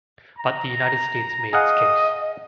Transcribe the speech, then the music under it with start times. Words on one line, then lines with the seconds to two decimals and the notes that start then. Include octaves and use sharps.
But the United States made its case.
0.39 A#5
1.53 G#4 D#5 F5 F#5 D#6